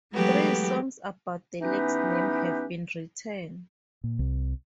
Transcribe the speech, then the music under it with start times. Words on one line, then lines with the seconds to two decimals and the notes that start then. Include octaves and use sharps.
Three songs about the lake's name have been written.
0.12 E3 F#3 G#3 A3 B3 G4
1.61 E3 B3 C#4 D#4 G4 B4
4.04 A#2
4.19 C2